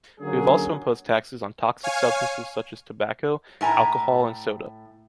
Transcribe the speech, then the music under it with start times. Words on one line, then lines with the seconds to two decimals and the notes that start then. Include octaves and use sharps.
We have also imposed taxes on toxic substances such as tobacco, alcohol and soda.
0.20 D3 F#3 A#3 C#4 G#4
1.83 C#5 F5 G#5
3.61 A2 E5 G#5 A#5